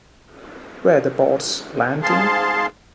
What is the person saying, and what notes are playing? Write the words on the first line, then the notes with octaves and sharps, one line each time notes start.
Were the boats landing?
G#2 G#4 F5 A5 C6